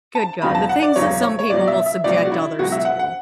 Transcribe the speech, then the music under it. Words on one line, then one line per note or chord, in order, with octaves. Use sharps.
good god, the things that some people will subject others to.
A5
E1 E2 C#3 F#3 B5
A5
F#5
D5
E1 E2 C#3 F#3 C#5
C#5
C#5
C#2 B2 F#3 D5
E5
E5
C#2 B2 F#3 D5
F#4
E4
C#2 B2 F#3 F#4
E5
F#5
F#5